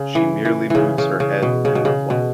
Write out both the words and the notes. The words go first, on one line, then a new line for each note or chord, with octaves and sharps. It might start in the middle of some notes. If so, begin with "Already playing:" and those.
She merely moves her head in reply.
Already playing: C#3
E3
E3
C#3 E3
C#3
C#3
B2
C#3
B2
C#3
B2